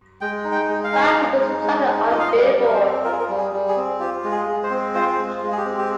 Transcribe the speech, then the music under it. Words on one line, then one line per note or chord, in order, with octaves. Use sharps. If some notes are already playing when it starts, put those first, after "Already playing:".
Five singles charted on Billboard.
G#3 G5
D#4
G5
G#3
F5
D#4
G#3
D#4
G#3
D#4
F4 D#5
F5
D#5
G3
D5
G3
A#4
C5
C4
F4 A#4
G#4
A#4
G3
G#4
G3
G#4
C4
F4 G4
G#3
G#4
G#3
C5
C4
F4 C5
G#3
G#3
G#4
G4
C4
G4